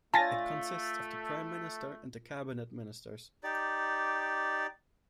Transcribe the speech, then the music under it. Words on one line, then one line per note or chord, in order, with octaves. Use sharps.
It consists of the Prime Minister and the cabinet ministers.
A3 F4 C#5 D5 G#5 A5 A6 A#6
D#4 G4 D5